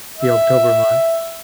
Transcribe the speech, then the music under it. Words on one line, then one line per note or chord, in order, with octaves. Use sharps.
the October month,
E5